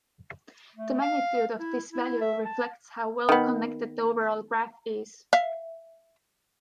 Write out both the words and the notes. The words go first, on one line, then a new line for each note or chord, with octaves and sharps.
The magnitude of this value reflects how well connected the overall graph is.
A3
F5
E4
E4
E5
A5
D#3 B3
E5 F5